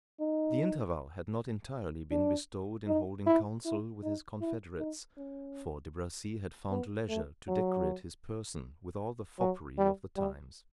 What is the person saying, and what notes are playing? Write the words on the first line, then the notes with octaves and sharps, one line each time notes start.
The interval had not entirely been bestowed in holding council with his confederates, for De Bracy had found leisure to decorate his person with all the foppery of the times.
D#4
D4
D#4
E4
E4
D#4
E4
D#4
C#4
B3
A3
F#3
F#3
G3
G3